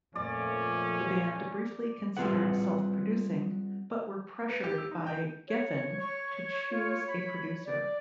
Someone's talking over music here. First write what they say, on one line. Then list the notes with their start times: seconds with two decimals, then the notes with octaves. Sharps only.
The band briefly considered self-producing, but were pressured by Geffen to choose a producer.
0.15 F2 A#2 F3 A3 C#4 D5
2.17 G3 C4 F4 G#4 B4 F#5
4.49 B4
4.64 G4
4.78 E6
4.91 D#4
5.07 G5
5.48 C#5
6.00 C#5 C#6
6.71 F4
7.07 B5
7.65 D5